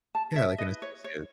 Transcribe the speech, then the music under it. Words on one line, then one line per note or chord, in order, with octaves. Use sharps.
Yeah. Like an associate.
A5
E5
E4 B4 D#5
C#5
C#5